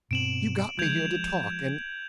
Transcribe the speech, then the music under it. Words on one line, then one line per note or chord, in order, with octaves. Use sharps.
You got me here to talk, and . . .
G2 B2 C4 D7 E7 F#7
F3 G#3 G6 G#6 F7